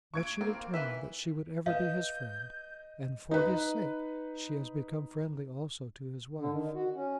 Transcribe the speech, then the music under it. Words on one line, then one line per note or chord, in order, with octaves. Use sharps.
But she determined that she would ever be his friend, and for his sake she has become friendly also to his wife.
C#6 G#6 D7
A#3 C4
E3 B4 E5
B4 D#5 F5 G6
D#4 B4
D3
D#3
F#4
C#4